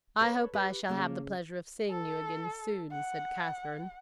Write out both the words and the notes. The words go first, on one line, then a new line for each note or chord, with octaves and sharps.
"I hope I shall have the pleasure of seeing you again soon," said Catherine.
A4 B4 C#5
G4 B4
C#3 A#3 A4
A4
F#5